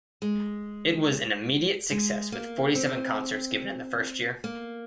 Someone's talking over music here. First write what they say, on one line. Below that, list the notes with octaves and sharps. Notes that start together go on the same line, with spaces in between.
It was an immediate success with forty seven concerts given in the first year.
G#3
G#3
A#3
C4
A#3